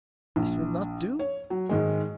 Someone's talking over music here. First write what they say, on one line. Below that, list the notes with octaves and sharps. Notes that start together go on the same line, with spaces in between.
'This will not do.
A#1
C#5
F#3
G#2 D#3 G#3